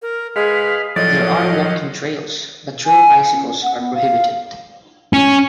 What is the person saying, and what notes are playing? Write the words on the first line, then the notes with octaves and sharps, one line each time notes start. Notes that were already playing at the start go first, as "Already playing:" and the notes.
There are walking trails, but trail bicycles are prohibited.
A#4
G#3 G#4 B4 F5
A2 F3 F#3 D5 D#5
G#5
C#4
F#5
B3
F5
C#4